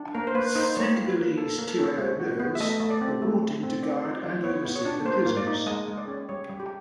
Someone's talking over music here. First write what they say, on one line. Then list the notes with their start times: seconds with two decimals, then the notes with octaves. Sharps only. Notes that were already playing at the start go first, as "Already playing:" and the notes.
Senegalese Tirailleurs were brought in to guard and oversee the prisoners.
Already playing: D4
0.15 A#3 A#4
0.27 C5
0.35 A#3 B4
0.55 D#4 C5
0.77 G3 C#5
0.96 F4
1.06 B4
1.17 A#3
1.37 A#3 A4
1.59 A#3
1.69 A4
1.79 C#4
1.98 G#3 C#5
2.20 F#4
2.40 B3
2.55 E5
2.60 A3 D#5
2.80 A3
2.90 D5
3.01 C4
3.22 A3
3.43 A3
3.63 C4
3.82 C4 D5
4.03 F4
4.13 D5
4.23 F4
4.44 B3 C#5
4.65 B3
4.76 C#5
4.85 D4
5.05 A#3 C5
5.26 A#3
5.37 D5
5.47 D#4
5.67 G#3 D#5
5.88 G#3
5.98 D5
6.08 C#4
6.29 G3 C#5
6.50 G3
6.60 G4